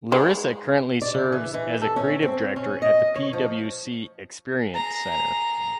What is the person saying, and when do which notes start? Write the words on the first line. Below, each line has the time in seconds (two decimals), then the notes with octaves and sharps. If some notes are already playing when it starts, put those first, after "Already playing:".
Larissa currently serves as a Creative Director at the PwC Experience Center.
0.12 G#3
1.02 D5
1.14 C#3
1.32 E3
1.54 E3
1.81 A4
1.96 C#4
2.22 C4
2.56 C#4
2.82 D#5
3.16 C#5
3.33 F3
4.71 G#4 A#5